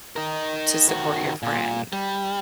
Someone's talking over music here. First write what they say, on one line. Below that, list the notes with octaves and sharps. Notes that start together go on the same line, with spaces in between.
to support your friend.
D#4 A#4
D#3 F#4
A#2
G3